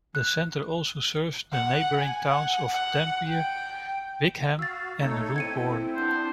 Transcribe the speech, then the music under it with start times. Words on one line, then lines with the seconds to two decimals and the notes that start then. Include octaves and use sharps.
The centre also serves the neighbouring towns of Dampier, Wickham and Roebourne.
0.15 F#6
1.52 F#5
1.99 G#5
2.28 F#5
2.73 F#5
3.28 G5
4.59 F#4 F5 E6 A6
5.00 A3 D#4 A4 C#5
5.36 A2 C4 E4 A4 G#6 C#7 D#7
5.96 B3 D4 C5